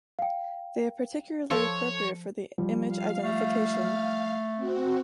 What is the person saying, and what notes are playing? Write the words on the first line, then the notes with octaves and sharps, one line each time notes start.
They are particularly appropriate for the image identification.
F5 G5
F3 A4 C#5
F3 G3
F5
A3
C4 F#4